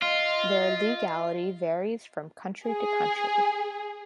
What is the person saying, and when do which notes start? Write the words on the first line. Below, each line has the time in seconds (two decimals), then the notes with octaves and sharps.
Their legality varies from country to country.
0.02 F4 D#5
2.66 G#4